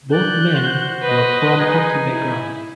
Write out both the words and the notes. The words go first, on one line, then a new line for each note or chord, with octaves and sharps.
Both men were from hockey backgrounds.
D5 F#6 G6
F#4 C5
B4 D#5
D#4 G#4 G#5
E4